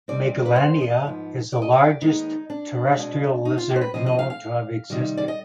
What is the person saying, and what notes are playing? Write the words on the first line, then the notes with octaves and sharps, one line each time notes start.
Megalania is the largest terrestrial lizard known to have existed.
B2 G3 C4 D5
B4
C5
D#5
G#2 F3 B3
D5
D#5
D5
D#2 D#3 G#3 B3 D#4
D4
B2 G#3 C4
D#4
F4
G4
C5
B4
D2 C3 F3 C4 D#5
D#5
F5
F5
C3 D#3 G3
D5
D#5